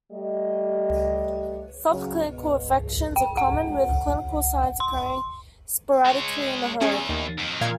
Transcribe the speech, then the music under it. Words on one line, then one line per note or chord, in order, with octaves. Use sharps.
Subclinical infections are common, with clinical signs occurring sporadically in a herd.
G3 A3 G4 D#5
C#3 F#3
B2
G5
F#5
C6
G#3 C#5
E2 C#4 G#4
D#2
F2 D#3
A#2 F5 G#6